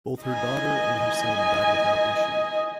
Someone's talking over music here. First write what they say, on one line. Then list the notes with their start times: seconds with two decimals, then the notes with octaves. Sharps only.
Both her daughter and son died without issue.
0.22 D#5 G#5